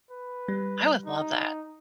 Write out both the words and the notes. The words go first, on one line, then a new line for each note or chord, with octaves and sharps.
I would love that.
B4
G3
D#4